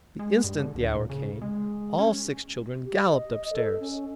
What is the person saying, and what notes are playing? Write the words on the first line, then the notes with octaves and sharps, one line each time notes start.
The instant the hour came, all six children galloped up stairs.
G#3
G2
D3
D2
A#2
C#3
G#3
C#4
G4
D#5
A4
C#4